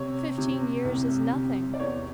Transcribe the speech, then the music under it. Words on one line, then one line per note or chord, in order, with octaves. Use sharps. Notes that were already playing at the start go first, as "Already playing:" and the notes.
Fifteen years is nothing.
Already playing: C3 C#5
C3
C2
C3
D5
E2 C#5